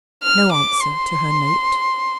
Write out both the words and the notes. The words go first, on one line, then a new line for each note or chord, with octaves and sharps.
No answer to her note?
F6
D6
C6